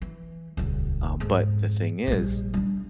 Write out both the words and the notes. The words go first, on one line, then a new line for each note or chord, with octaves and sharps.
Um, but the thing is,
E3
D#1 C#2
F2 G#2
A#1 G3
G3 D4